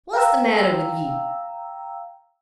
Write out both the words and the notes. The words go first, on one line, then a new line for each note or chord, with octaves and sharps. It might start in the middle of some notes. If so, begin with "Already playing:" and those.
What's the matter with you?
F5 G5 A#5 E6